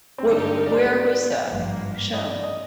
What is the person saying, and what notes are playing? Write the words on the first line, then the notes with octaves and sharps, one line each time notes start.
What where was that shown?
C4
G2 D3 G#3 D4 D#4 G4
D4
A#4
D5
C5
D5
G#1 G2 F3 A#3
D#5
D5
D#5